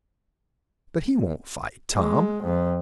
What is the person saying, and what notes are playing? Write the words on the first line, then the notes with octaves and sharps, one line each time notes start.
"But he won't fight, Tom."
G#3
F2